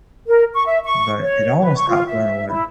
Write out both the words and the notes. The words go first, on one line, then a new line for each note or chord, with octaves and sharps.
but it almost got blown away.
A#4
C#6
E5
C#6
C#5
B4
C#6
F4
E5
E4